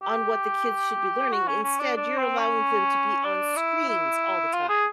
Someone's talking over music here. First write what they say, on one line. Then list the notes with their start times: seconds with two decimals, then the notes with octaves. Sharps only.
on what the kids should be learning. Instead, you're allowing them to be on screens all the time."
0.03 G4
1.31 F#4
1.48 C#4
1.63 C#4
1.79 D4
1.96 D4
2.18 C4
2.38 C#4
3.24 D4
3.56 E4
3.89 E4
4.53 F4
4.69 G#4